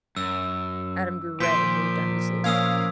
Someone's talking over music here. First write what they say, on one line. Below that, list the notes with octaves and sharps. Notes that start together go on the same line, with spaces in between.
Adam grew red and moved uneasily.
F#2 E6
A#2 F3 C6 G6 B6 D7
A#3 C#4 F5 D#6 E6 G#6